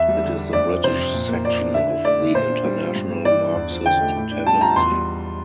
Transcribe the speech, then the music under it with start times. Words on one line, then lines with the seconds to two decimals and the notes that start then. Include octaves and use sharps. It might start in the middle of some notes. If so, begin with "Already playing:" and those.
It is the British section of the International Marxist Tendency.
Already playing: E2 E5
0.09 G3
0.24 D3
0.38 D4
0.53 F2 D5
0.69 F3
0.84 C3 C5
0.99 F2
1.14 A#2
1.29 A#3
1.44 F3 D5
1.59 D4
1.74 D3 E5
1.89 E4
2.05 A3 D5
2.20 D3
2.35 A#2 C5
2.50 D4
2.65 G3
2.80 F4
2.96 G2
3.11 G3
3.25 E3 D5
3.41 D4
3.56 E2
3.71 F3
3.86 D3 G5
4.01 A3
4.16 A2
4.31 D4
4.46 G3 A5
4.61 F4 A#5
4.76 E2 C6
4.92 G3